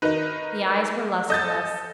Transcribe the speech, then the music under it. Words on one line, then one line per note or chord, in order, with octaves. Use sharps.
The eyes were lustreless.
D#3 D#4 B4 D#5
A4 D#5 G6 A6